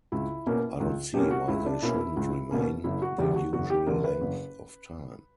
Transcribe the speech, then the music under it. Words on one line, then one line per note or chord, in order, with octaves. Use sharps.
I don't see why they shouldn't remain the usual length of time.
C#2 E4
B2 A#3 C#4
C#2
B2 A#3 C#4 G4
F#4
C#2 E4
D4
B2 A#3 C#4 E4
E4
C#2 E4
B2 A#3 C#4
F#1 E4
F#4
E2 D3 G4
F#4
F#1 F#4
G4
E2 D3 A#4
B4
F#1